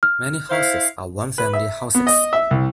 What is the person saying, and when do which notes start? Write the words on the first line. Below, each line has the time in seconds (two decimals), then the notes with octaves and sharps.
Many houses are one family houses.
0.03 F6
0.50 E4 C5 F5
1.38 B4
1.53 E5
1.95 B3
2.07 D#5
2.33 E5
2.51 C2